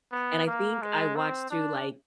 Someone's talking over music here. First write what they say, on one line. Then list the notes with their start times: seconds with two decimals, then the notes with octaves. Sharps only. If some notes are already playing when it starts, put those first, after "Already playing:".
and I think I watched through, like,
0.12 B3
0.47 A#3
0.82 G#3
1.16 C4
1.50 D4